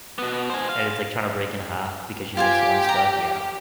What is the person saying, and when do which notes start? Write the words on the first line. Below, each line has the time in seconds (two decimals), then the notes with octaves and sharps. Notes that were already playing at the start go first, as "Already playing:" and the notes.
and it's like trying to break in half because you missed one stud, yeah.
0.18 B2 B3
0.50 C5 G#5
0.69 F5
2.37 F4 G4 C5 G#5
2.84 G5 A#5